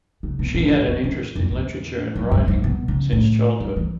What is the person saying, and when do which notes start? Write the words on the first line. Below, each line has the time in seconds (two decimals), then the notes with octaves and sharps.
She had an interest in literature and writing since childhood.
0.23 C#3
0.39 B2
0.55 A2
0.71 A2
0.88 F#2
1.04 E2
1.36 F#2
1.51 E2
2.16 F#2
2.32 G2
2.48 G2
2.64 B2
2.88 C#3
3.12 A2
3.60 G2
3.76 E3